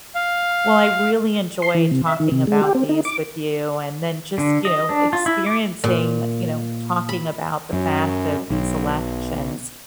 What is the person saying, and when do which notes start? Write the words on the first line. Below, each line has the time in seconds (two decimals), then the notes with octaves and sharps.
Well, I really enjoy talking about these with you, and then just, you know, experiencing, you know, talking about the fact of these elections,
0.15 F5
1.62 C6
1.75 E3
1.91 C3
2.06 E5
2.20 D#3
2.32 C3
2.47 G#3
2.61 G4
2.75 C4
2.89 D#4
3.05 D6
4.38 D3
4.65 D#5
4.89 D4
5.13 F4
5.26 E4
5.46 D6
5.84 A#2
7.09 B5
7.73 F#2
8.50 B1